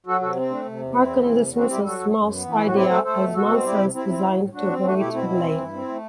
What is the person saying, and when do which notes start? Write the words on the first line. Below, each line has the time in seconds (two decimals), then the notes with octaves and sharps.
Harken dismisses Mal's idea as nonsense designed to avoid blame.
0.06 F#3 F#4 A4
0.21 C3 F#4 A4
0.36 C4
0.50 A3 D4
0.66 C3
0.81 E2
0.96 E2 C4 E4
1.10 E3
1.26 C3
1.40 E2
1.55 C4 D4 F#4
1.70 G3 E4 G4
1.85 F#3 F#4 A4
2.00 F#2
2.16 F#2
2.29 B3
2.45 E3
2.56 A2 E4
2.65 F#4
2.74 C4 E4 G4
2.89 A3 A4 C5
3.04 A3 A4 C5
3.19 B2
3.34 B2 F#4 A4
3.50 C4
3.64 G3 E4 G4
3.79 C3
3.94 C3 C4 E4
4.09 C4
4.24 F#3
4.39 A2
4.53 A2 D4 F#4
4.69 C4
4.83 A3 D4 F#4
4.98 B2 E4 G4
5.13 B2 C4 E4
5.29 C4
5.43 E3
5.58 G2
5.74 C4
5.88 A3